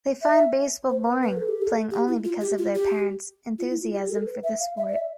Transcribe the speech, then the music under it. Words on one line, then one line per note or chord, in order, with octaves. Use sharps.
They find baseball boring, playing only because of their parents' enthusiasm for the sport.
E5
C5
B4
B4
A4
G4
A4
G4
E4
F4
G4
F4
G4
F4
E4
F4
G4
G4
A4
B4
E5
F5
E5
D5
E5